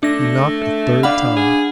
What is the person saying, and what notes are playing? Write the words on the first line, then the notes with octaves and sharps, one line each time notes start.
He knocked a third time.
A3 D4 A#6
D4 F5 F#5 B5
G#4